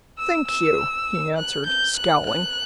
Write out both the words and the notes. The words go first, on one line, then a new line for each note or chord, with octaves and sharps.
"Thank you," he answered, scowling.
E6
E6
F#6
G6
F#6
F#6